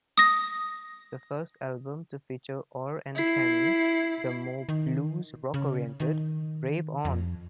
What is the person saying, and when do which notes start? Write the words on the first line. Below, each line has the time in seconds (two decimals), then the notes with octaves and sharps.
The first album to feature Orr and Kenney, the more blues rock-oriented Rave On!!
0.18 D#6 A#6
3.15 E4 C7
4.69 D#3
5.54 C#3
6.00 D#3
7.05 F2